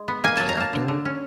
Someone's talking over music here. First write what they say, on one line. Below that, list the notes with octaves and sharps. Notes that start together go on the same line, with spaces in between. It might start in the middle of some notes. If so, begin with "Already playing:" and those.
the character
Already playing: G#3
B3
A#3 G#5
F#3 A5
A#5
A#3 A5
D3
D3
C#4